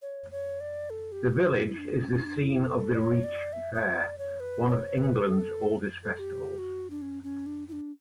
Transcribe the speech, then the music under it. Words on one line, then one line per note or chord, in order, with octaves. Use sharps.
The village is the scene of the Reach Fair, one of England's oldest festivals.
C#5
C#5
D5
A4
G4
F#4
E4
D4
C#4
C#4
E4
D4
E4
A4
D5
C#5
D5
E5
E5
D5
C#5
B4
C#5
B4
A4
A4
A4
G4
F#4
D4
C#4
C#4
D4
E4
D4